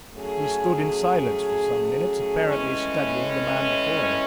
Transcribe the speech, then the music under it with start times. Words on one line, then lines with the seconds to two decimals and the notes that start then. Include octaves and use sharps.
He stood in silence for some minutes, apparently studying the man before him.
0.13 F#3 A3 C#4 G#4
2.47 A2 E3 G#3 C#4